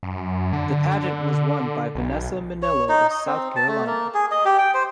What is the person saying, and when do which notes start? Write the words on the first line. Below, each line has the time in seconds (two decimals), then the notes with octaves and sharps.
The pageant was won by Vanessa Minnillo of South Carolina.
0.03 F#2
0.53 D3
1.95 B1
2.62 C#5
2.89 D#4
3.10 D#5
3.26 C4
3.56 A5
3.68 A3
3.87 A#3
4.14 G#4
4.31 D#5
4.45 G4
4.58 G5
4.74 C5